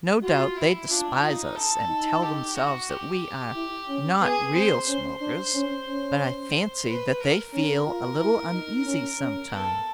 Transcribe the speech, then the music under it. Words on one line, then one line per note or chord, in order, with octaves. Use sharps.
No doubt they despise us, and tell themselves that we are not real smokers, but I fancy that they feel a little uneasy sometimes.
F4 F#4
E4
D4 F4
D#4 F4
A4
D#4
G4
F#4
G4
E4
C#4
B3 G#4
C4 C5
C#4 C5
D4
C#4
C#4
B4
A#4
C#4 A#4
F4
E4
D#4
C#4
C#4
B3 A4